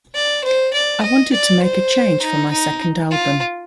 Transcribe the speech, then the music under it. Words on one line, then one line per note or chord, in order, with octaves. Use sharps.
I wanted to make a change for my second album.
D5
C5
D5
D#5
D5
C5
D#4
D#4
F4